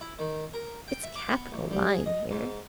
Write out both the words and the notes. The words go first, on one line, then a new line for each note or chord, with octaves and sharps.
"It's capital lying here."
E4
D#3
A#4
G5
E5
D6
B3
A1
G3
G#4
D#5
G#2